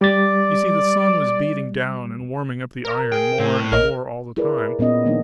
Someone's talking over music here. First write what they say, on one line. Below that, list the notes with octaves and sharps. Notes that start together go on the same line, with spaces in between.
You see, the sun was beating down and warming up the iron more and more all the time.
G3 D5 A6
A#4
G#4 G5
A2 C4
A#1 A#4 C#5 D#5
E4 G#4 A#4 B4 D5
A#2 B3 C#4 D#5
D#3 F3 A#3 D4 D#4